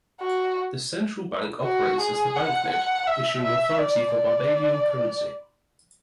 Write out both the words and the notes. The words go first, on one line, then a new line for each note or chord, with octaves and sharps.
The Central Bank operates as the banknote issuing authority for Barbadian currency.
F#4
F#4
G#4
F#5
F#5
E5
E5
D5
D5